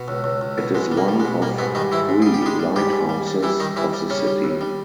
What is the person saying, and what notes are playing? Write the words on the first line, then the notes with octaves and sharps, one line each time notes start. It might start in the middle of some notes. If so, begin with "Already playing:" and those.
It is one of three lighthouses of the city.
Already playing: B2
C#2
C#2
C#2
B2
B2 G#3
G3
A#3
G3
G#3
B2
G3 A#3
G#2 B2 B3
D#3 G3 D#4
G#2 E3 E4
G#2
G3 G#4
G4
G3 G#3 G#4
G3
G#2 G3 G4
G#2
G3
G3
E3 G3 E4
D#3 G3 D#4
E3 G3 E4
G3
C#3 G3 C#4
G3
D#2
G3